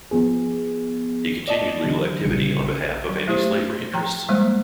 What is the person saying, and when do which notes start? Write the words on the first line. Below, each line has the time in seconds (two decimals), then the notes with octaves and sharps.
He continued legal activity on behalf of anti-slavery interests.
0.11 F3 B3 G#4
1.48 D5 D#5 A5
1.84 D3 E3 F#3
2.25 A#1 C#3 G3 C#7
3.09 F#3
3.28 A3 E4 G4 C5
3.94 F3 G5 A#5
4.29 F3 G3 G#3 A#3 C5